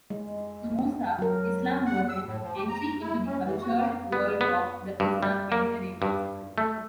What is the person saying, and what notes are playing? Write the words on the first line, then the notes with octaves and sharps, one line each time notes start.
To Musa, Islam was "an entry into the cultured world of the Eastern Mediterranean".
G#3
F#3 A#4
F#5
E6
A2
F3
G4
A#5
E4
C#4
E3
F#4
A#3
B3
B3
G2
G3
A#3
G2
A3